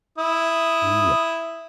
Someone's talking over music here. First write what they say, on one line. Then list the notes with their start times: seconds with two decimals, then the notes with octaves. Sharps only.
Ooh, yeah.
0.18 E4 D#6